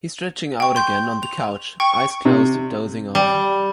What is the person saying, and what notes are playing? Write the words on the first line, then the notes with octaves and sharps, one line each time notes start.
He’s stretching out again on the couch, eyes closed, dozing off.
G5 C#6
C6 G6
F7
G5 C#6
C3
G3